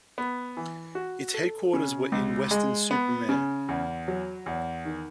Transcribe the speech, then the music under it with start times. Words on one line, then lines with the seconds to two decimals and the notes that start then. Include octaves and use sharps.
Its headquarters were in Weston-super-Mare.
0.18 B3
0.57 E3
0.95 F#4
1.34 A4
1.73 C#3
2.12 C#2
2.51 G#3
2.91 B3
3.29 C#3
3.68 E2
4.08 F#3
4.46 E2
4.85 D#3